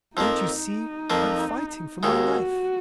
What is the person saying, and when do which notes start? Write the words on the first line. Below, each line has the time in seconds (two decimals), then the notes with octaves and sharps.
Don't you see I'm fighting for my life?
0.16 F2 F3 A#3 D#4
1.10 F2 F3 A#3
2.03 D#2 D#3 G#3 F#4